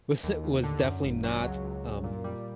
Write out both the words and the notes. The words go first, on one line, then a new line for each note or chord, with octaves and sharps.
was was definitely not, um,
D#2
D#2
D3
F#2
G#1
F#3
C#2
C#2
C#2
A#2
G3